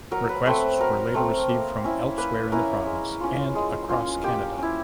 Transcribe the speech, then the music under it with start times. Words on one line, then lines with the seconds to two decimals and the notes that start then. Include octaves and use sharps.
Requests were later received from elsewhere in the province and across Canada.
0.11 F#3 A#4
0.29 B4
0.46 A3 C4 B4
0.81 F#3 A#4
1.14 A3 C4
1.49 A#3
1.84 C#4 E4
2.18 A#3 B4
2.52 C#4 E4 A#4
2.86 G#3
3.20 C#4 F4
3.55 G#3
3.89 C#4 F4
4.23 A#3 G4
4.58 C#4 E4